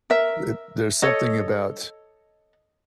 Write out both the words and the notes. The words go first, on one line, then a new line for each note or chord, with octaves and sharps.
a there's something about,
A#4 E5
A4 C#5 D#5